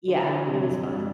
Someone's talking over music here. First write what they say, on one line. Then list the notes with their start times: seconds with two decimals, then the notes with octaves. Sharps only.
yeah, it was fun.
0.08 D3
0.28 D3
0.47 C3
0.67 F2
0.87 G2